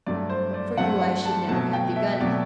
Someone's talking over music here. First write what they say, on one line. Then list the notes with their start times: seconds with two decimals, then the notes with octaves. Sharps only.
But for you I should never have begun it.
0.06 G2 F#3 A3 D5
0.29 C5
0.54 D5
0.77 G2 F#3 A3 F#5
1.02 F#5
1.25 A5
1.48 B2 F#3 A3 A5
1.73 G5
1.96 E5
2.20 B2 F#3 A3 D5